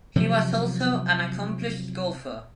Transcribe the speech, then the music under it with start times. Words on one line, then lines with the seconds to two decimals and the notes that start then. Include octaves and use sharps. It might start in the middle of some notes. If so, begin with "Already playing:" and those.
He was also an accomplished golfer.
0.16 C3 F3 F#3